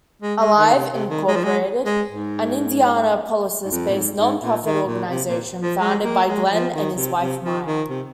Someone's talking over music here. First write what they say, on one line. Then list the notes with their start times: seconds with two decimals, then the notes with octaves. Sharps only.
Alive, Incorporated an Indianapolis-based non-profit organization founded by Glenn and his wife, Maya.
0.22 G#3
0.40 G#3
0.58 D#3
0.74 C3
0.92 C3
1.09 D#3
1.27 G#3
1.36 F3
1.44 G#3
1.85 G#3
2.08 G#2
3.65 G#2
3.71 F2
3.90 A#2
3.94 G#2
4.17 G#2
4.41 A#2
4.64 D#3
4.86 A#2
5.10 C3
5.28 A#2
5.62 F3
5.80 G#3
6.04 A#3
6.26 G#3
6.50 F3
6.73 D#3
6.96 C3
7.20 C3
7.43 F3
7.66 D#3
7.89 C3